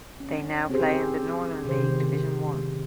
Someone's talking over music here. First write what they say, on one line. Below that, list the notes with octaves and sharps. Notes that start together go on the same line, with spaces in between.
They now play in the Northern League Division One.
C#4
C4 G4 G#4 C5
C3 D#3 C5